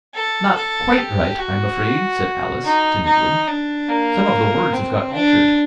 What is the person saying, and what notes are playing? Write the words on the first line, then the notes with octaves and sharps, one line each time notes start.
'Not QUITE right, I'm afraid,' said Alice, timidly; 'some of the words have got altered.'
A4
A4
G4
F#4
D#4
D#4
D4
A#3
C4
D4